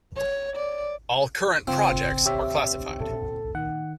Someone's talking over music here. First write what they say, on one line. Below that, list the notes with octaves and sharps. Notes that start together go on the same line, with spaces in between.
All current projects are classified.
C#5
D5
C#3 C4 F4
G4 C#5 E5
A#2 A4
D#3 F#5